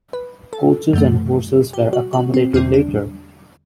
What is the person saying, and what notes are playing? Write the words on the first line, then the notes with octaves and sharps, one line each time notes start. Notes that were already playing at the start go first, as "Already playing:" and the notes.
Coaches and horses were accommodated later.
B4
A4
F#2 E3 A3
G4
F#4
F#4
C4
E2 D3 G3 C4
D4